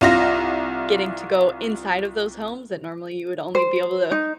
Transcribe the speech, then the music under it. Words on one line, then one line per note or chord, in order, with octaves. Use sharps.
Getting to go inside of those homes that normally you would only be able to
C2 F4 A#6
C5
D#4